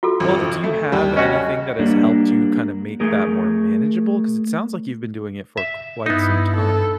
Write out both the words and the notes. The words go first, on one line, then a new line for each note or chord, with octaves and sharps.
Well, do you have anything that has helped you kinda make that more manageable? 'Cause it sounds like you've been doing it for quite some time.
F4 F#4 A4
G#1 F2 F3
A3
D#2 G3
C#4 F#4 D#5
G3 A#3 D4
A3 G#4 A#4
E5
G2 B3 D#4 E4
A4